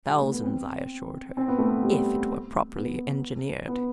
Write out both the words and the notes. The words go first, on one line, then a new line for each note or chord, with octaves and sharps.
"Thousands," I assured her, "if it were properly engineered."
G3
A3
B3
C4
C4
B3
A3
B3
G3
B3
B3